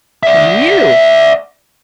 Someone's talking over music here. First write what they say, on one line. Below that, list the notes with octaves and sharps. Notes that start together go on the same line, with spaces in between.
And you!
D5 E5